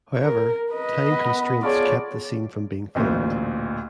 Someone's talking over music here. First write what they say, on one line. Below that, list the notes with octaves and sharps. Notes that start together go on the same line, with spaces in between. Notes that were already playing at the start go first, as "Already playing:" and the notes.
However, time constraints kept the scene from being filmed.
A#4
B4 D#5
B3
F4 G#4 A4 C#5 D5
A1 D2 A#2